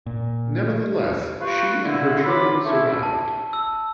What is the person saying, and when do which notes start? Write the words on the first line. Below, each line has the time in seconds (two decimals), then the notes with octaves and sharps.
Nevertheless she and her children survived.
0.06 A#2
1.41 F4 G4 B4 C#6
1.83 A#2 D3 E4
2.25 F#3 F4 B5 D6
2.65 A3 C#4 E4
3.03 A5
3.53 E6